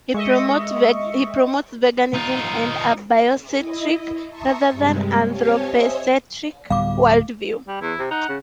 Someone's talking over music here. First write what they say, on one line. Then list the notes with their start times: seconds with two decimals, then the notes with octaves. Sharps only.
He promotes veganism, and a biocentric, rather than anthropocentric, worldview.
0.14 G#3 D#5 E5 C#6
2.15 D#4 F4
3.56 E4 D#5
4.27 E5 A5 A#5 C6 C#6 D#6
4.71 G2 C3 G3 G#3
5.30 C4 G4 C#5 F5 G#5 A5
5.62 C5 C#5 D#5 E5 G#5
6.70 D1 G3 B3 F5 D6
7.68 G3
7.81 E2 E4
7.99 C3
8.11 D#4 F#5
8.28 C#3